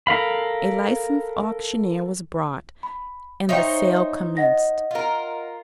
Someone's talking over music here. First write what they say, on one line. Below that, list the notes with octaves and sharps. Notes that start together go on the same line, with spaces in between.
A licensed auctioneer was brought, and the sale commenced.
A4 A#4 F5 B5
B5
D#4 C5 C#5 E5 F5 G5
D#5 F#5 A#6
F4 A#4